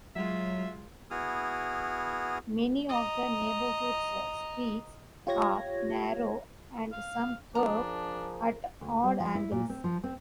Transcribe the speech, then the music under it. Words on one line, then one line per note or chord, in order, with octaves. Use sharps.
Many of the neighborhood's streets are narrow and some curve at odd angles.
F#3 G#3 F4 E5
B3 E4 F#4 G#4 D#6 F6
D#5 A#5
F4 G4 C#5 G#6 A#6
F5
F3 D4 G#4 A#4 A#5
D2
G3
F3
E4
A#2
C4
F3
C4